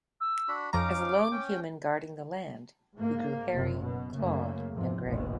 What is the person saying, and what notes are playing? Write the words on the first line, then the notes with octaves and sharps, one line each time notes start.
As a lone human guarding the land, he grew hairy, clawed and gray.
E6
D4 F#4 B5
F2 F3 C#4 D#4 F5 A#5 D6
C#4 G5
G#2 A#3
F#1 F#2 C3
B2
F#2 C#3 A3 A#3
E2 G#2 C3 F3
F1 A#1 B2 F3